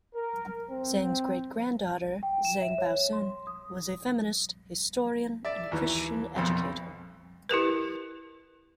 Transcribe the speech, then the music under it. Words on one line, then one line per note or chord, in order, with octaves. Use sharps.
Zeng's great-granddaughter, Zeng Baosun, was a feminist, historian, and Christian educator.
A#4
C4
G5
E7
E5
C#5
C6
D#6
D5 E5
D#2 E3
B1 F2 B2
E4 G4 A#4 B4